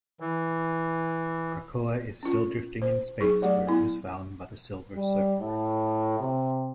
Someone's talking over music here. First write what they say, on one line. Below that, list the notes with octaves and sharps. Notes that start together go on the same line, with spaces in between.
Krakoa is still drifting in space where it was found by the Silver Surfer.
E3
C#4 F4
C5
F#3 D#4 G#4 C#6
F#3 A3 G4 D5
B3 E4
G3
A2
C3